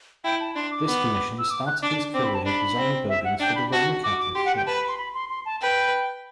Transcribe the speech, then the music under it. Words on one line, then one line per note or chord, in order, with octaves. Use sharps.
This commission started his career designing buildings for the Roman Catholic Church.
E4 G5
A5
D4 C6
D6
B3
E6
D6
F#6
D4 D6
C4 D6
B5
A5
D4 B5
C4
E5
F#5
D4 G5
B5
F#4 A5
F#4 D6
D6
G4 C6
F#5
G5
B4 A5
B5
C6
B5
C6
C6
A5
B4 G5